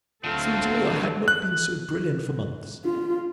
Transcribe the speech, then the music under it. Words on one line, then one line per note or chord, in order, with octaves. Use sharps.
It seemed to me I had not been so brilliant for months.
D2 D3 F#3 A3 C4 F4 A4 F5
F#6
F4